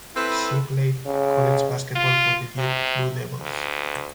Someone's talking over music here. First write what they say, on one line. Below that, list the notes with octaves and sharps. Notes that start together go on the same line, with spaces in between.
She played college basketball for the Duke Blue Devils.
C4 E4 A4 B4
C#3
F4
C3
D2